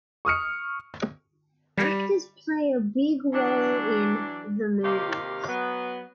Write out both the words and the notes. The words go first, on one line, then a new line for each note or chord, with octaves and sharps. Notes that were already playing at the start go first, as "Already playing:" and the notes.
Actors play a big role in "The Movies".
C#6 D#6 F6 C#7
G3
E3 F#3 D4
D#2 C3 D#4 G4 F5
F#3 B3